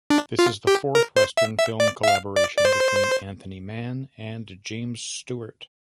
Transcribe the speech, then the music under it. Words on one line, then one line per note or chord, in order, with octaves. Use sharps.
This is the fourth Western film collaboration between Anthony Mann and James Stewart.
D4
F4
G4
A#4
C5
E5
E5
D5
E5
F5
D5
D5
C5